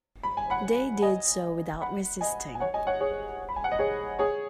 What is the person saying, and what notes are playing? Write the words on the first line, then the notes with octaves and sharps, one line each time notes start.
They did so without resisting.
B5
G#5
F#5 B5
D#5 G#5
F#5 B5
D#5 G#5
G#5
C#5 F#5
D#5 G#5
C#5 F#5
G#4 C#5
B5
G#5
F#5
D#5
G#4 C#5
G#4 C#5